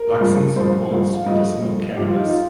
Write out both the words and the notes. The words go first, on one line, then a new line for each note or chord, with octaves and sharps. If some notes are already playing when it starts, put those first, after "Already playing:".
Luxon supports medicinal cannabis.
Already playing: A#4
G2 F3
G2 F3 C5
G2 F3
F5
G2 F3 D#5
G2 F3
G2 F3 G4
F4
D#4
F4